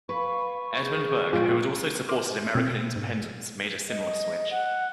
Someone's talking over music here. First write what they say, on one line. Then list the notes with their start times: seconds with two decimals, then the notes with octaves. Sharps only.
Edmund Burke, who had also supported American Independence, made a similar switch.
0.09 B4 F5 C#6
0.79 F#4 G#4 G6
1.33 A#2 G#3 F4 G5
2.09 A#4 C6 D6 F6
2.55 B2 C4
2.96 G#2
3.89 D#5
4.51 F#5